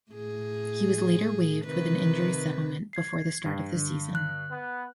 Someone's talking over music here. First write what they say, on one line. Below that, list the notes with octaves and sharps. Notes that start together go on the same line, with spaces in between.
He was later waived with an injury settlement before the start of the season.
A2 G#4
C3 D#3 B4
G#6 C7
G2 G5
D3
F#6
B3